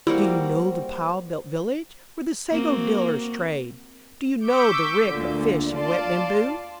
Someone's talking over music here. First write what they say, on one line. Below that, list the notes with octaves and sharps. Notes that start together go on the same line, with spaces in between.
Do you know the pile-built village, where the sago-dealers trade-- Do you know the reek of fish and wet bamboo?
G3 A#3 E4 F#4 C5
A#3 C4 F#4
C#6 D6 E6 G6 B6
D2 A#2 D3
F4 D5 A5 C6